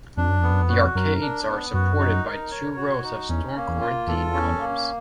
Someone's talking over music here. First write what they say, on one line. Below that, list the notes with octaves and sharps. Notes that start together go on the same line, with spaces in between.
The arcades are supported by two rows of stone Corinthian columns.
F2 D4
F#2
F2 B3
F#2
F2
F#2 F#4
F2
F#2 A#4
D4
B3
F#2 F#4
D#4
A#4
C#5
F#4
D#4
E2 C#4
A#3
E2
F4
E2 A4
C#4
A#3